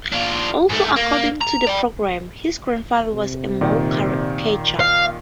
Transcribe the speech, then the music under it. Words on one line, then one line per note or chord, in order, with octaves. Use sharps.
Also according to the programme, his grandfather was a mole-catcher.
D4 F4
G#2 A3
A#3
A#5
D5 G5
C3
A#2 D#3 D5
F5